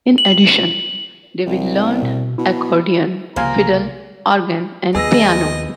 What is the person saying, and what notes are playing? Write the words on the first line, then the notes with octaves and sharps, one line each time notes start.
In addition, David learned accordion, fiddle, organ, and piano.
F#7
C2
B2
B2 E4
C2 C#3 F3 A#3 C5 F5 G#5 A#5
D#2 B3 G#4 D#5 E6 A#6